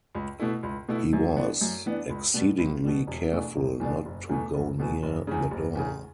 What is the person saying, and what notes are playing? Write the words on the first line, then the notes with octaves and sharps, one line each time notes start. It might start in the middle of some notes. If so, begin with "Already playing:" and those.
He was exceedingly careful not to go near the door.
C#2
B2 A3 E4
C#2
B2 A3 E4
F#2
E3 B3 D4
F#2
E3 B3 D4
C#2
B2 G3
C#2
B2 G3
E1
E2 B2 A3 D4
E1
E2 B2 A3 D4
F#1
E2 B2 A3
F#1
E2 B2 A3
F#1
E2 C#3
F#1
E2 C#3